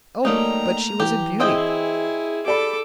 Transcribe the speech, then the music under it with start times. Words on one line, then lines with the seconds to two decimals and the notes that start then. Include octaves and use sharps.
Oh! but she was a beauty!
0.25 F#3 G3 A3 A#3 D#4 A#5
1.00 E3 G4
1.40 C4 E4 G#4 D#5 G5
2.46 G4 A4 D5 B5 D6